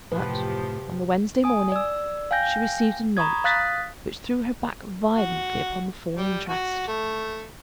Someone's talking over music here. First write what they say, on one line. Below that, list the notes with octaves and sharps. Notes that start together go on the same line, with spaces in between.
But on the Wednesday morning she received a note which threw her back violently upon the Fawn interest.
F#2 A2 C3 F3 G4 B4
G#5 D#6
D5 E6
F5 G5 G#5 G6 A#6
A#5 B5 C#6 D#6 G#6
F5 D#6 F#6 A6 B6
F#4
G3
F#4
A3